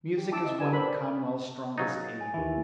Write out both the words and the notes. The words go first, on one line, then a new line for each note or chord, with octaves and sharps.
Music is one of Conwell's strongest aids.
G4
D4 E4 A5 D6 E6
D#5 E6
G4 A4 B4 G#5 E6
G4 A4 A#4 C5 B5
D5
C#3 F#3 D#4 A6
G#5
D#2 E3